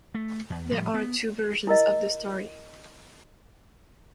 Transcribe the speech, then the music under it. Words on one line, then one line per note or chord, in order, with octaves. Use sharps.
There are two versions of the story.
A3
E2
A2 F3 G3
B3
E4 A#4 D#5